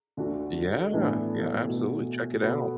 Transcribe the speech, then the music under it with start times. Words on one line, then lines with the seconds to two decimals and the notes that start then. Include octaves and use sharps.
Yeah, yeah, absolutely, check it out.
0.17 D2 D3 A3 D4 F#4
0.92 A2 E3 B3 D4 A4
1.67 B2 A3 F#4 A4
2.42 B2 B3 F#4 A4